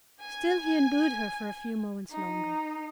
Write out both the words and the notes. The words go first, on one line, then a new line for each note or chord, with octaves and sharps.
Still he endured her for a few moments longer.
G#5
D#4